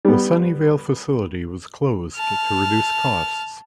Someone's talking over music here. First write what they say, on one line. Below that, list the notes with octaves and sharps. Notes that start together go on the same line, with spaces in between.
The Sunnyvale facility was closed to reduce costs.
G3 B3
A5 F6